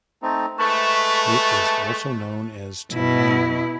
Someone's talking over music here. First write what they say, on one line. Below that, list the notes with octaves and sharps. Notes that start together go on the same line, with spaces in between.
It also known as Timanan.
A3 C4 D#4
G#3 A3 B4 A5 C#6
B2 E4